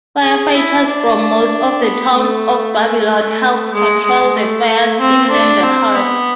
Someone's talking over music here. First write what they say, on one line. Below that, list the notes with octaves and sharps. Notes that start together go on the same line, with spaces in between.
Firefighters from most of the Town of Babylon helped control the fires in Lindenhurst.
G#4
E4
D4
B3
A3
A3
G#3
G#3
A3
C4
D4
C4
B3